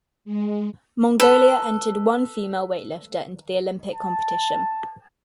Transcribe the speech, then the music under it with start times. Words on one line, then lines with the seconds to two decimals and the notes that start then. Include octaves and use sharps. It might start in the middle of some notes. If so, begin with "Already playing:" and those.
Mongolia entered one female weightlifter into the Olympic competition.
0.25 G#3
1.20 A4 B4
3.94 A5